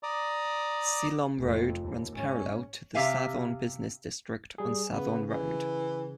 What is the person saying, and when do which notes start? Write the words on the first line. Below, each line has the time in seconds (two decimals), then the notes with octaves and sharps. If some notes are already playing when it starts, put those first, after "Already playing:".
Silom Road runs parallel to the Sathorn business district on Sathon Road.
0.03 D5 A#5 D6 D#6
1.38 F1 F2
1.82 D#2
2.13 G#2 C#4
2.95 C3 C#4 G4 E5 F5 G#5
4.58 G3 G#4
4.92 C#3 B3
5.26 E3